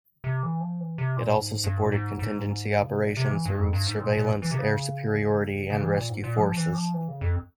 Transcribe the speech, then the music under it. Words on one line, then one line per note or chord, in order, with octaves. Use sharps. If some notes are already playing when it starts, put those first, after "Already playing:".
It also supported contingency operations through surveillance, air superiority and rescue forces.
C3
E3
F3
E3
C3
A#2
G#2
G2
A#2
G#2
G#2
C#3
C3
A#2
C3
E3
G2
F2
G2
G#2
A#2
A#2
E3
C3
C#3
C#3
E3
A#2
G#2
A#2
F3
E3
F3
E3
C#3
F2